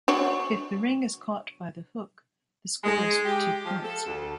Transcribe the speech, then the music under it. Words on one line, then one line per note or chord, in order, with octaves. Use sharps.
If the ring is caught by the hook, the score is two points.
D4 F#4 C#5
G#3
G4
F3
A4
D2